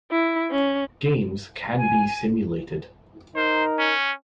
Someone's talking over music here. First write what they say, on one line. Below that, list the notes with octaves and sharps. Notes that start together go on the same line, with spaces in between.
Games can be simulated.
E4
C#4
G#5
D#4 A#4 C5
C#4